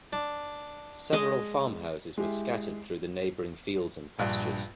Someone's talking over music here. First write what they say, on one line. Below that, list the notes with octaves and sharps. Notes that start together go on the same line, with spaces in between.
Several farmhouses were scattered through the neighbouring fields and pastures.
D4
G#3 D#5
G#3 E4 G4
A#1 G2